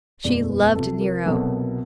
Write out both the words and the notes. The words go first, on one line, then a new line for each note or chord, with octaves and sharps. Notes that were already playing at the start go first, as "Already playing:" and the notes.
She loved Nero.
F#1 E2 B2 G#3 D5
B4
C2 C3 F3 A4
A#4
C2 B2 F#3 A#3 A4